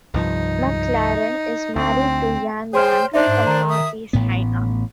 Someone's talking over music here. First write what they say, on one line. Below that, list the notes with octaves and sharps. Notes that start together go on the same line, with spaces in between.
McLaren is married to Yan Wang from Northeast China.
C2 G2 F3 D#4
D2 C4
G#4 C5 C#5 G5 C6 F6
D4 D#4 C5 D5 E5
G#2
D#3 A#5
E5 D#6
A1 A2 B3